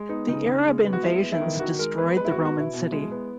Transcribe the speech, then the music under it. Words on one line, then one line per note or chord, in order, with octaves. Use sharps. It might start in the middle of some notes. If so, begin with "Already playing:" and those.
The Arab invasions destroyed the Roman city.
Already playing: G#3
B3 D#4
C#3 D#4
C#3
G#3
B3
F#4
G#3 E4
B3
E4
D#3
D#3 F#4
G#3 A#4
B3 B4
G#3 B4
E4
B3 F#4
F#4
B2 E4
B2
G#3
B3